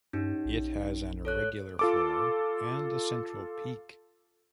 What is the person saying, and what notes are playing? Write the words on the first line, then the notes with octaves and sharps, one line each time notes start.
It has an irregular floor and a central peak.
G2 C#4 D#4 G4
A#1
A4 C#5 F#6
F4 A4 D6